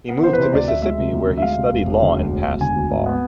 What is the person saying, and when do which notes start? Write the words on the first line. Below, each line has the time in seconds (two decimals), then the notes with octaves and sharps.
He moved to Mississippi, where he studied law and passed the bar.
0.09 B3
0.23 E3 C5
0.33 B4
0.38 C3 C5
0.53 D2 D5
0.68 D2 E5
0.82 G#3 E5
0.98 C3
1.13 D2
1.27 D2
1.37 E5
1.42 G#3 F5
1.57 C3
1.72 E1
1.86 E1
2.02 D3
2.16 D2
2.32 E1
2.46 E1
2.61 D3 G#5
2.76 D2
2.91 G#1
3.06 B3